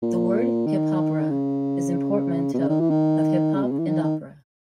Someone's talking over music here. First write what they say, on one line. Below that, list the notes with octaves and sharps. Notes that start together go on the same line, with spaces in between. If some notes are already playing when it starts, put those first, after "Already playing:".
The word "hip hopera" is a portmanteau of "hip hop" and "opera".
A#2
D#3
C#3
B2
C#3
D#3
E3
D#3
C#3
B2
C#3
E3
D#3
D#3